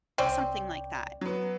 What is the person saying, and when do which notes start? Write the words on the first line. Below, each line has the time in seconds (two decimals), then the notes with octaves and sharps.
Something like that.
0.18 C2 C4 C#4 D5 G5
1.21 F#3 B3